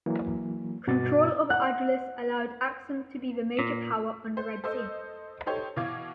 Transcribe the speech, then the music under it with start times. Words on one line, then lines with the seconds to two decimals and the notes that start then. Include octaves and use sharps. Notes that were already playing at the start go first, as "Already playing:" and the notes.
Control of Adulis allowed Axum to be the major power on the Red Sea.
0.06 E3 F#3 A#3
0.87 G2 B2 F#4 D6 A6
1.50 F#5 F#6
3.59 A#2
4.37 C5
4.64 A4 C5 D#5 E6 G6
5.46 D#4 G4 A4 C5 C#5
5.76 B2 E3 F5 D6 G#6